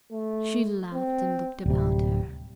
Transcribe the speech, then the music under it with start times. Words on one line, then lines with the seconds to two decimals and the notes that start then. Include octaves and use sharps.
She laughed and looked about her.
0.12 A3
0.93 C4
1.66 D1 C3 G3